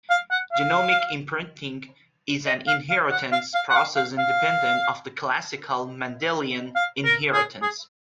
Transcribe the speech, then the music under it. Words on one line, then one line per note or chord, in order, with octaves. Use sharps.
Genomic imprinting is an inheritance process independent of the classical Mendelian inheritance.
F5
F#5
F5
D#5
F5
F5
F#5
F5
F5
F#5
F5
F5
F5
F5
A#4
G#4
G#4